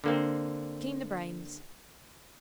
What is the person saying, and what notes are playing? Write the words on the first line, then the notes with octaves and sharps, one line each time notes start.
Clean the brains.
D3 A#3 C4